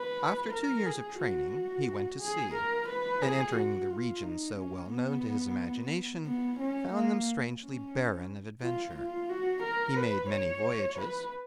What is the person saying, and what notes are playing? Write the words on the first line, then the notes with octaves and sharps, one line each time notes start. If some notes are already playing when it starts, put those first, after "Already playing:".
After two years of training he went to sea, and entering the regions so well known to his imagination, found them strangely barren of adventure. He made many voyages.
Already playing: B4
A#4
G#4
F#4
G#4
A#4
B4
G#4
F#4
F4
D#4
C#4
B3
B3
C#4
A#3
C#4
F4
F4
F#4
A#4
B4
C#5
B4